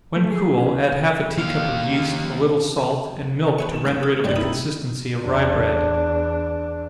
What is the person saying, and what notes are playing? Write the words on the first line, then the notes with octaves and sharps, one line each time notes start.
When cool, add half a tea-cup of yeast, a little salt, and milk to render it of the consistency of rye bread.
A3
G#4
C#4
D#2 F5
B4 G#5 C#6
D#3 E7
G#2 B5 D6
A4
A1 F#2 G#3 G4 D5 F#7
D#3 B3 D#4 E4 D#6
E2 D4